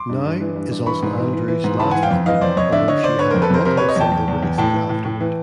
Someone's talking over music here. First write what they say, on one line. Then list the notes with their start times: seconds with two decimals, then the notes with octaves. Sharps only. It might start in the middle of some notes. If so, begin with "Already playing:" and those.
"Now" is also Andrews' last album, although she had multiple single releases afterward.
Already playing: C6 D6
0.10 G2
0.25 G2
0.40 E3
0.56 G2
0.72 G2
0.86 E3 B5 C#6
1.02 G#2
1.17 E3
1.33 E3
1.48 E3
1.64 G#2
1.79 E3 A5 B5
1.91 E3 F#5 G#5
2.03 F5 G5
2.10 F2
2.26 E3 D#5 F5
2.41 F2 C5 D5
2.57 F2 C#5 D#5
2.72 D3 D5 E5
2.88 D3 C#5 D#5
3.03 D3 C5 D5
3.19 D3 B4 C#5
3.30 F2 A#4 C5
3.42 A4 B4
3.50 F2 A#4 C5
3.65 C3 A#4 C5
3.77 B4 C#5
3.80 C3
3.89 C#5 D#5
3.96 E2 G5 A5
4.12 E2
4.28 E2
4.43 E2
4.58 A2 G5 A5
4.74 E3
4.89 A2
5.05 A2
5.20 E3